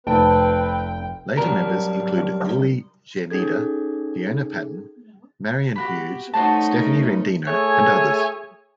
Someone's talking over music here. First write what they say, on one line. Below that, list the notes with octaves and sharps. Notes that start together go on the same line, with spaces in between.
Later members included Julie Czerneda, Fiona Patton, Marian Hughes, Stephanie Rendino and others.
F1 C4 B4 G5 A5
F#3 G3 D4 A#4
C#4 D#4 G#4 A4 G#6
F#4 G4 F#5 B5
A3 C#4 D#4 F#4 C5 A5
A#4
A3 G#4 C#5 E5 G#5